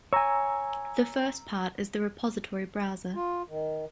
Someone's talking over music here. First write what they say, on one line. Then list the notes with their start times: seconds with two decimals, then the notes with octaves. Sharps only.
The first part is the repository browser.
0.13 C#5 G#5 A#5 E6
3.15 F4
3.49 D#3